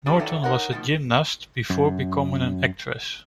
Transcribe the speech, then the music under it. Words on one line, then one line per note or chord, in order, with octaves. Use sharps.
Norton was a gymnast before becoming an actress.
G3 C4 C#4
D#3 E3 F#3 A3 D5
D#4 A#4 C#5 F#5
B2 D#3 F3
F#2